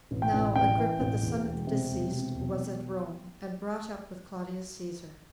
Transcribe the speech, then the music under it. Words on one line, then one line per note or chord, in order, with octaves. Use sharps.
Now Agrippa, the son of the deceased, was at Rome, and brought up with Claudius Caesar.
A1
G5
A1
A1 G5
E3
A1
E2
E1
C3
E1
C3
E1